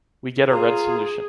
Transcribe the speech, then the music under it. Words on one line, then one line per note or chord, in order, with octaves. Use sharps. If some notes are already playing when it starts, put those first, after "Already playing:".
We get a red solution.
F4 G#4 A#5